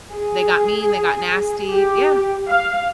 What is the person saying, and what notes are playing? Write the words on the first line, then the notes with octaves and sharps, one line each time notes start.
They got mean, they got nasty yeah.
G#4
G4
F5